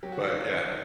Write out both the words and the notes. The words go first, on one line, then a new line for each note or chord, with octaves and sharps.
but, yeah.
F#3 G4
F#4
D#3
F4
D#3
F#2